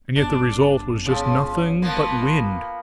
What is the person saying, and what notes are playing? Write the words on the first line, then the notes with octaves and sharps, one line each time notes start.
And yet the result was just nothing but wind.
G1 D4
C#3 F3
F3 A#3 B3